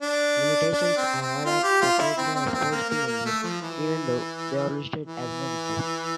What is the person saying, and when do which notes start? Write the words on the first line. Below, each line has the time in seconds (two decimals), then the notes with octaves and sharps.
Limitations are added separately as positive numbers, even though they are listed as negative.
0.01 D4
0.73 D4
0.97 C4
1.22 C4
1.45 F4
1.63 G4
1.81 F4
1.99 E4
2.17 C4
2.35 C4
2.46 A#3
2.53 C4
2.71 A#3
2.90 A#3
3.07 A#3
3.25 A3
3.44 F3
3.61 E3
5.06 E3